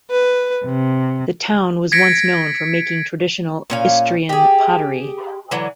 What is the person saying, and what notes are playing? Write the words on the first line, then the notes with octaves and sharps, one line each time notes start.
The town was once known for making traditional Istrian pottery.
B4
C3
G#6 A#6 B6 C#7 D7
A#2 C#4 F5
G4 G#4
D3 E3 F#3